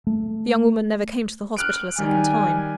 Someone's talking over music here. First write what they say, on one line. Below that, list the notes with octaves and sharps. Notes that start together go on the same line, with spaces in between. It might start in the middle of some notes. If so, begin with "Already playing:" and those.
The young woman never came to the hospital a second time.
A3
F6 F#6 D7
D#3 G3 G#5